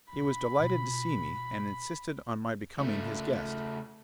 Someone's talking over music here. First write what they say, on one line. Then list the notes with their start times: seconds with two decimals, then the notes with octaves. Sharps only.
He was delighted to see me, and insisted on my becoming his guest.
0.13 E1 E4 B5
0.59 B2 F4
2.78 C#3 A3